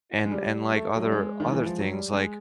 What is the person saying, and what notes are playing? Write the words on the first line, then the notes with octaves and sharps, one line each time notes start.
And and, like, other other things, like
G#3
G3
A3
F#3
G3
G#3
D#3
E3
F3
F#3
G3
G#3